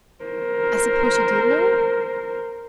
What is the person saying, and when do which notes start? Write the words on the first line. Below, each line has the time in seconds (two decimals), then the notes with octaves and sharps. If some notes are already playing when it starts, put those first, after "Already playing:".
I suppose you did know?
0.24 A#4 C5